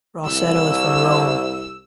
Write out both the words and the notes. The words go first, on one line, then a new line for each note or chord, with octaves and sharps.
Rossetto is from Rome.
C2 E6